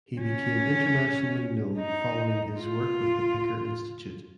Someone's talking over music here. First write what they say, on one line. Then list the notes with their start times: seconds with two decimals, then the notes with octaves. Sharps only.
He became internationally known following his work with the Picker Institute.
0.21 C#4
1.79 D#4
2.58 F4